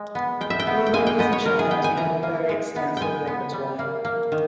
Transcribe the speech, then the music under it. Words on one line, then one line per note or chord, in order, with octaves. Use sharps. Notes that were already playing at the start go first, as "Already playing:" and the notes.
Already as a child he had a very extensive repertoire.
Already playing: G#3
B3
G#3 G5
E5
G5
B3
G5
G#3 G#5
G5
B3 D#5
C#5
G#3 A#4
G#4
B3 G5
G#5
E3 A#5
A#3
G#3
B3
G#3 G5 G#5
B3
G3
A#3
A#3
D#3